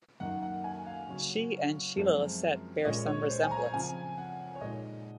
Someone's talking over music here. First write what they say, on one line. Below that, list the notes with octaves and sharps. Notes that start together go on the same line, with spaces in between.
She and Sheilla Lissette bear some resemblance.
F#2 D#3 A#3 D#4 F#5
F#5
G#5
F5
C#3 F#3 C#4
F#2 F3 G#3 C4
A#2 G#3 C#4 D#5
C#5
C5
G#5
A#5
C#3 F3 C4 F4 G#5
F#5
C#5
A#2 G#3 D#4 D#5